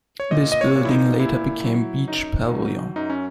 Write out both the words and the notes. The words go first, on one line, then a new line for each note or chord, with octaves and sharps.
This building later became Beach Pavilion.
C#5
A#2 D#5
D#5
C#5
A#2
E4
D#4
A#2 E4
F#3
F#2 D#4
F#3
F#2 D#4
C#4